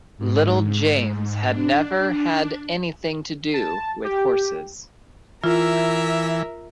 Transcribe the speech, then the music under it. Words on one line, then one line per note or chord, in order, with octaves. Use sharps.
Little James had never had anything to do with horses.
G#2
D4
A5
G4
E3 F4 A#4 E5